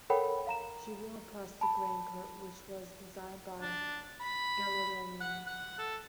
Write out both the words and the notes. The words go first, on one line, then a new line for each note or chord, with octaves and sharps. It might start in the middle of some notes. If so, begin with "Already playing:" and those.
She wore a plastic raincoat, which was designed by Galliano.
A4 A#4 C#5 F#5 G5 B5
F5 A#5 E7
A5 B5
D4
B5
F#5
F#5
A4